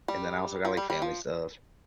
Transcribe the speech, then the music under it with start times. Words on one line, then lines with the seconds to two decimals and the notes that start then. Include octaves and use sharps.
and then I also got, like, family stuff
0.08 G3
0.65 F3
0.77 G3
0.90 G3
1.02 F3